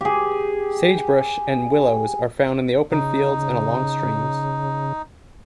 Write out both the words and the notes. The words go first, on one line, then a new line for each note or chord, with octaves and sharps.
Sagebrush and willows are found in the open fields and along streams.
G4 G#4
C#3 D#4